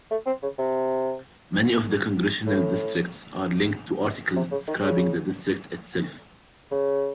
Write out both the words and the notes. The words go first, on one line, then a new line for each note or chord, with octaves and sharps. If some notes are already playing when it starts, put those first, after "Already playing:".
Many of the congressional districts are linked to articles describing the district itself.
A3
C4
C#3
C3
A2
C3
C#3
D#3
C#3
C#3